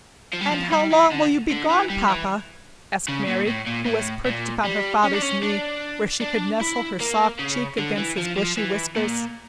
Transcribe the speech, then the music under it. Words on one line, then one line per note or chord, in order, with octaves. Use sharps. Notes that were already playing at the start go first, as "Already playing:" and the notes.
"And how long will you be gone, papa?" asked Mary, who was perched upon her father's knee, where she could nestle her soft cheek against his bushy whiskers.
F3
G3
F3
G3
E3
D3
D3
E3
G3
E3
C#3
A#2
A2
A#2
A2
A#2
G3
C#4
D4
C#4
D4
D4
E4
A#3
C#3
D3
E3
F3
F3
E3
A#2